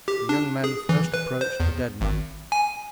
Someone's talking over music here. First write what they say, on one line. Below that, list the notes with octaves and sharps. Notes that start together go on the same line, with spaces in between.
The young men first approached the dead man.
G4
D4
G#4
E3
B4
C5
E2
G#1
G#5